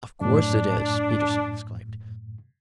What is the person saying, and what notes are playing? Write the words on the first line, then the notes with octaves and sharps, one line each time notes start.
"Of course it is," Peterson exclaimed.
F#2 A2 D4